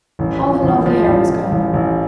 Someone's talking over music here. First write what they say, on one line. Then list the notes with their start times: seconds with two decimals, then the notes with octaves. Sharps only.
All her lovely hair was gone!
0.19 A1
0.41 F3
0.63 A1
0.86 F3
1.07 A1
1.30 F3
1.51 A1
1.73 A1